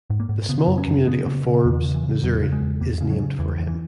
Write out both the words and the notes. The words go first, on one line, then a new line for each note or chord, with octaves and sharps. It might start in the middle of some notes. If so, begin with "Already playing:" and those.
The small community of Forbes, Missouri, is named for him.
G#2
A#3
G#2
C#3 B3
F#2
C#4
F#2
C#3 B3
C#3 A#3
C#3
E2 D#3
C#3
E3
C#3
E2 F#3
C#3
G#3
E2
E2 A#3
C#3
F#3
C#3
E2 E3
E2
E3